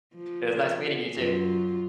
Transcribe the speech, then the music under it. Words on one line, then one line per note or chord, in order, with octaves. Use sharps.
It was nice meeting you too.
F3
F#2 F4